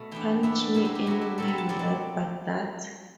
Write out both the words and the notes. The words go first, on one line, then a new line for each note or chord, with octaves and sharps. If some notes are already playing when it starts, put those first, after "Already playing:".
Punish me any way you like but that.
Already playing: B2 A3 B5
E3 B3 D4 G5
E3 B3 D4 E5
D5
B2 F#3 A3 C4 E4 C5
C5
G4
B2 F#3 A3 C4 E4 F#4
G4
B2 F#3 C4 A4
B4
A5
B2 F#3 C4 D5
D5